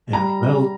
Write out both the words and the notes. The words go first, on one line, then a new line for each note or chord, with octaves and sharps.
Yeah, well
G3 A#5